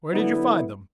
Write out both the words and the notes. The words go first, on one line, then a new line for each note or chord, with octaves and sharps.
"Where did you find them?"
D3 F#3 B3 E4